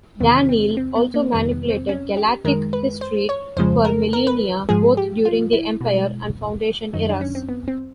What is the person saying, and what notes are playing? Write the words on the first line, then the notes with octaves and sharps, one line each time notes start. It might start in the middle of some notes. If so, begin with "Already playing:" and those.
Daneel also manipulated galactic history for millennia, both during the Empire and Foundation eras.
E2 C3 D#3 B3
C4
C4
B3
A#3
F2 C3 D#3 G3 B3
B3
C4
C#4
G4
F#2 D#3 G#3 A#4
B4
C5
C#5
F2 C#3 F3 G#3 C5
A#4
A#4
B4
G#2 F3 G#3 G#4
G4
F4
E4
B2 G#3
F#2 D#3 F#3 D#4
D4
C#4
C4
B3
C4